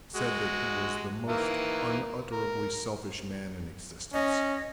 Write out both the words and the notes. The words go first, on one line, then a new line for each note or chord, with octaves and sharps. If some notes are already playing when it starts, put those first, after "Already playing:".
He said that he was the most unutterably selfish man in existence.
G#3 F#4
D#3 E3 A#3
A#4
C#4 D#5